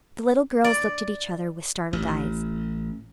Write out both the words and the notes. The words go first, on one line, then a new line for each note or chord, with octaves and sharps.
The little girls looked at each other with startled eyes.
D5
A1